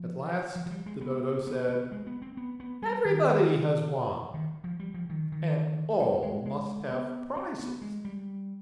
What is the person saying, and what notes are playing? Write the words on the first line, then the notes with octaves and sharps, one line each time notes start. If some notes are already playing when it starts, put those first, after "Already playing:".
At last the Dodo said, 'EVERYBODY has won, and all must have prizes.'
Already playing: F3
F3
F3
G3
G#3
B3
B3
B3
G#3
B3
C4
B3
B3
G3
D#3
D#3
F3
G3
F3
D#3
D#3
G3
G#3
G#3
B3
C4
B3
G#3
G3